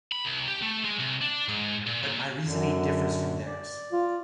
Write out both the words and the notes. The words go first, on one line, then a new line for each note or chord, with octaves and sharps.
But my reasoning differs from theirs.
B5
C2
G4
A3
G#3
C2
D4
G#2
A#2
A#2
F#2 D3
D5
F4